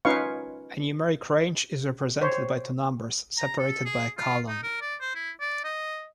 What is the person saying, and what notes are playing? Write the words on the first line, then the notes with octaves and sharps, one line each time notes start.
A numeric range is represented by two numbers separated by a colon.
C#4 D#4 F4 B4 F5 C#6
C5 C#5
A#5
A4
G#4
F4
D#4
A#4
D5
C5
E4
D5
D#5